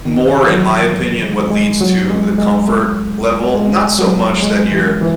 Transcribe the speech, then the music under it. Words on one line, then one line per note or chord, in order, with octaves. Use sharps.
more in my opinion what leads to the comfort level. Not so much that you're
D#3
E3
F#3
A3
G#3
G#3
F#3
G#3
G#3
A3
G#3
F#3
G#3
E3
E3